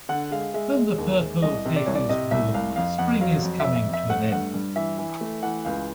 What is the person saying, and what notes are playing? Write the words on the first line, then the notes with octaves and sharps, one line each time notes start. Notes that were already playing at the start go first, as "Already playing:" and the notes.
When purple vygies bloom, spring is coming to an end.
D3 F#5
G#3 F5
G#3 E5
G#3
D#2
G#3
C2 D#5
C3
D5
C2 C#5
D5
C3 D#5
C2 E5
C2 F5
F2 F5
F2 F#5
F#3 F5
F2
F2 E5
E5
F2
E5
A3 F#5
G2 F#5
G2
E3 E5
E3
A3
E3 F#5
C#2 F5